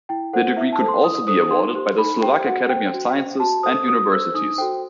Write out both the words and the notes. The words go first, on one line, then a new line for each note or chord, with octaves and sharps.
The degree could also be awarded by the Slovak Academy of Sciences and universities.
E4 G5
A4 C5 F#5
E4 E5
A5
A4 C5
C6
E4 D#6
A4 C5 D#6
D#4 C6
G4 C5
D#4 B5
G4 C5 G5
F#4 F#5
C5 G5
F#4
C5
F#4 A5
A4 C5 D#6
F#4 D#6
A4 C5 E6
D#4 D#6
F#4 A4 C5 G5